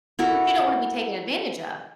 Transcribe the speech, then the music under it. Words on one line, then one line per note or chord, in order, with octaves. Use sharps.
but you don't wanna be taken advantage of.
E4 F#4 A4 A#4